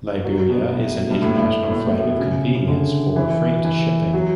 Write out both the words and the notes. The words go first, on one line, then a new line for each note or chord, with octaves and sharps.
Liberia is an international flag of convenience for freight shipping.
F#3
B2
A2
G2
A2
A2
A2
A2
B2
C#3
C#3
D3
E3
E3
F#3